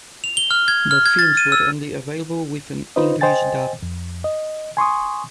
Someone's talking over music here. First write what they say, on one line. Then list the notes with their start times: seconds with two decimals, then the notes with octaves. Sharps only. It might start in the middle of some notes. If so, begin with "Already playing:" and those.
Both films were only available with an English-dub.
0.24 F7
0.37 G7
0.51 F6
0.68 G#6
0.91 F6
1.06 G#6
1.19 A6
1.37 D#7
1.52 E6
2.96 D#4 F4 B4 C5 D#5
3.21 C5 D#5 G5 G#5 A6
3.83 F2
4.24 D#5
4.77 G#5 C6 C#6 D#6